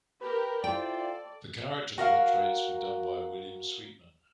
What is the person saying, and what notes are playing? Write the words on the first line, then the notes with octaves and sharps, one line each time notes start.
The character portraits were done by William Sweetman.
G4 A#4 B4
E4 F4 A4 C5 D5 G5
F#4 A#4 F5